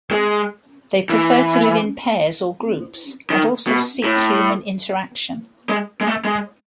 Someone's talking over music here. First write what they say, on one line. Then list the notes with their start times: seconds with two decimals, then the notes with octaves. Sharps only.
They prefer to live in pairs or groups and also seek human interaction.
0.11 G#3
1.09 E3
3.30 D#3
3.67 B2
4.04 A2
5.69 G#3
6.01 G#3
6.07 A3
6.25 G#3